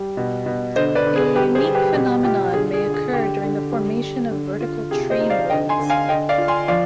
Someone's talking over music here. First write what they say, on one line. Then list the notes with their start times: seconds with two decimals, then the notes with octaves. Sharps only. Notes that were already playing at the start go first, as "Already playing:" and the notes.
A unique phenomenon may occur during the formation of vertical tree molds.
Already playing: G3
0.17 B2
0.46 B2
0.76 D3 C5 D#5
0.95 B4 D5
1.06 D3
1.16 G#4
1.35 G3 G4 B4
1.55 G#4 C5
1.64 G3
1.75 G4 B4
1.94 B2 G4
2.24 F4 G4
2.54 D3 G#4
2.74 G#4
2.84 D3
2.94 G#4
3.13 D3 G4
3.43 D3
3.72 G3
4.02 G3
4.31 D3
4.61 F4
4.91 C3 G#4
5.10 C5 D#5
5.20 D#4
5.30 D5 F5
5.50 D3 D#5 G5
5.69 G#5 C6
5.79 D3
5.90 F5 G#5
6.09 D3 D#5 G5
6.29 D5 F5
6.38 F4
6.48 G#5 C6
6.68 F3 D5 F5